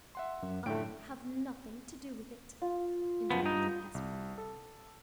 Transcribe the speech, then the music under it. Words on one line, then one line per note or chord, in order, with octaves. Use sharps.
"I have nothing to do with it," interrupted Hesper.
E5 F#5 C6
F#2
A2 D3 A3 G5 D7
F4
F#2 F3 B3
G2 D#4
C2
A4